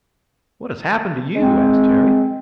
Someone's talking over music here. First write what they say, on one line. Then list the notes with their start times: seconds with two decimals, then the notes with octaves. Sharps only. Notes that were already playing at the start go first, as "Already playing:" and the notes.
"What has happened to you?" asked Harry.
1.36 G#3 C4